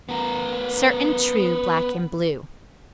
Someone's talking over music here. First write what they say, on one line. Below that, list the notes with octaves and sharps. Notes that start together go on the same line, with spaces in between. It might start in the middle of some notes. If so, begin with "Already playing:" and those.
Certain, true, Black and blue.
B3 A#4